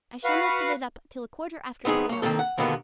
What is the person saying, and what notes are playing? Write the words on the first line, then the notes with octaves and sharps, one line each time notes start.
I shall not give it up till a quarter after twelve.
F#4 B4 F5 F#5
B3 C4 D#4 G4 G#4
A#3 C#5
D#3 F3 A#3 C4 A4
F#5
D#2 B2 D3 D#3 A#3 B3